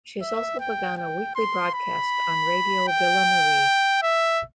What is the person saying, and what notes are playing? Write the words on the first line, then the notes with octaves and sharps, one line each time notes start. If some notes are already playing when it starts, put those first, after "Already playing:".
She has also begun a weekly broadcast on Radio Ville-Marie.
E5
G5
G5
C6
B5
G5
E5